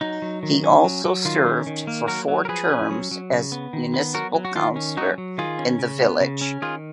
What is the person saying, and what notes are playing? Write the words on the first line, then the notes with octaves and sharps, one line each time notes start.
He also served for four terms as municipal councilor in the village.
F#3 D#4
F#3
D#3
C#4
F#3
F#3
D#3 F4
C#4
D#3
A#3
F#3 F#4 A#4
F#3
A#4
F3 G#4 B4
C#4
F#3
F#3
C#3
B3
D#3
B3
F#3 F#4 A#4
F#3
F#4
D#3 F4
C#4
F#3 D#4 F#4
F#3
D#3 F4 G#4
C#4
C#3
B3
C#3
C#4
D#3 F4 G#4